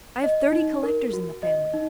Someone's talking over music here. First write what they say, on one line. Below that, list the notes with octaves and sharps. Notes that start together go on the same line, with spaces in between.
I have thirty collectors in the family.
D#5
D#4
A#4
F#4
D#5
D#4